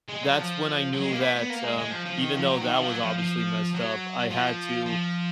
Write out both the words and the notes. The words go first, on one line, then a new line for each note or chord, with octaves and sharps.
that's when I knew that, um, even though that was obviously messed up, I had to,
G#3
F#3
F3
F#3
G#3
A#3
B3
B3
A#3
G#3
G#3
F3
F3
D#3
F3
F#3
D#3
F3
F#3
F3
F3
F#3
F3
F3